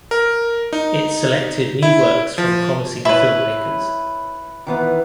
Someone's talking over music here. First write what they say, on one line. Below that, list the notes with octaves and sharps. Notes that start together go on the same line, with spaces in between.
It selected new works from promising filmmakers.
A#4
D#4
E4
F3
E4 B4 C#5 A5
D#3 E3 B3